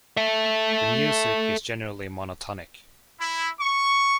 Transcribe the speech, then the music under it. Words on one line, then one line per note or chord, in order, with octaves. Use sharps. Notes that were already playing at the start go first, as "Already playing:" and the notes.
The music is generally monotonic.
A4 E5
E4
C#6